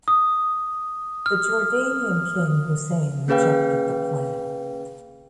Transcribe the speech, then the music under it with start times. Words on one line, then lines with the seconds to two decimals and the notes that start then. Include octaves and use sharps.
The Jordanian King Hussein rejected the plan.
0.08 D#6
1.26 F6
3.28 A#3 C#4 G#4 B4 F5 G5